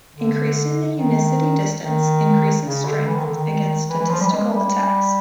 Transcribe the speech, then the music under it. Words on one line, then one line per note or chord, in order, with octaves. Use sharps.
Increasing the unicity distance increases strength against statistical attacks.
D3
D#3
D#3
C#3
D3
E3
D#3
D3
D#3
E3
E3
F3
G3
G#3
G3